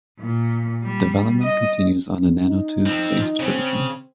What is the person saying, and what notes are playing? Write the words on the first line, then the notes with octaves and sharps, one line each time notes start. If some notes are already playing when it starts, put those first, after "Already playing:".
Development continues on a nanotube based version.
A#2
G3
D#5
D#4
F3 C4
C#3 C4